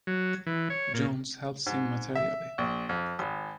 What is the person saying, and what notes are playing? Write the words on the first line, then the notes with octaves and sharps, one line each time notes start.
Jones helps him materially.
F#3
E3
C#5
A#2
G#2
E5
A#1
F2
G#1